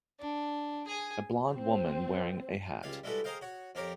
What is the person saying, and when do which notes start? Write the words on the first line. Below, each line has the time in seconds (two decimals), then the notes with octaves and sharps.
A blond woman wearing a hat.
0.20 D4
0.87 G#4 G#5
1.52 C4
2.83 C#2 G3 F5 G#5
3.04 G3 G#3 E4 F#4 A4 B4
3.24 G#4 A#4 C5 D#5 F5 G5
3.41 F#4 C#5
3.75 F2 C4 G4 A#4 C#5